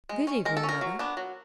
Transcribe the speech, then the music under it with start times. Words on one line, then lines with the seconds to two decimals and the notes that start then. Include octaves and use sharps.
'Good evening, Mother.'
0.09 G#3
0.27 C#4
0.45 G#3 A#4
0.57 A4
0.63 C#4
0.69 A#4
0.81 F#3
0.99 B3 D4
1.17 F#3